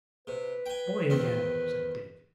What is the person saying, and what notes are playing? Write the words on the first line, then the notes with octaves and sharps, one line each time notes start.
"Boy again!" said Dick.
C3 B4
G5 G#5
E2 D#3 C4